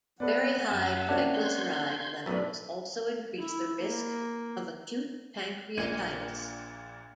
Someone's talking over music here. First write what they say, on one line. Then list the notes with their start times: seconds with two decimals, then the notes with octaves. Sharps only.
Very high triglyceride levels also increase the risk of acute pancreatitis.
0.20 B3 A4 B4 D5 F#5
0.70 F#2 E5 A5
1.09 C3 A#3 C#4 D4 G4
1.34 C6 G6 G#6
2.26 B1 F#2 A2 A4 B4 D5 E5 A6
3.40 E4
3.79 A#3
5.77 A#1 A#2 G#6 D#7